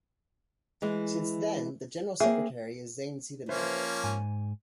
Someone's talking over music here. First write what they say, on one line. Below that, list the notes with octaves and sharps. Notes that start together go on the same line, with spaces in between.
Since then, the General Secretary is Zain Sidahmed.
E3 G#3
A#3 C4 G#4 E5
F3 A#3 C#4 B4 C5 E5
G#2 G#5